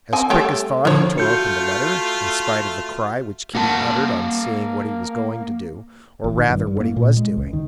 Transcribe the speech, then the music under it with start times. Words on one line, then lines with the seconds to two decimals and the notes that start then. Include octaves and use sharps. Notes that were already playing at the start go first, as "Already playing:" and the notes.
As quick as thought, he tore open the letter, in spite of the cry which Kitty uttered on seeing what he was going to do, or rather, what he was doing.
0.13 C4 G#5
0.30 G3 A3 C#5 G5
0.85 D3 F3 D#4 C#5
1.18 A3 F4 F#4 G6 C#7
3.55 A#3 F#5 A5
6.24 A1
6.37 D#3
6.50 G2
6.67 G2
6.80 A#3
6.96 A#2
7.17 G#3
7.37 C#2
7.53 D#3